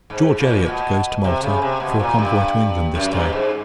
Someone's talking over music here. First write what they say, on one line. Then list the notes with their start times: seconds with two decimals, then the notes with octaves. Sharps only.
George Elliot goes to Malta, for a convoy to England, this day.
0.10 G#2
0.39 A#2
0.67 B2
1.24 C3
1.42 C#3
1.62 C3
1.80 B2
1.99 A#2
2.19 G2
2.95 F#2
3.13 G2
3.33 G#2